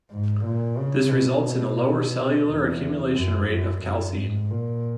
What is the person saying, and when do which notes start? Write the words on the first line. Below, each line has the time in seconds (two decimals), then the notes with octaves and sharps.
This results in a lower cellular accumulation rate of calcein.
0.11 G#2
0.46 A#2
0.79 C#3
1.12 B2
2.48 E2
3.16 F#2
3.49 F#2
3.83 F#2
4.16 G#2
4.51 A#2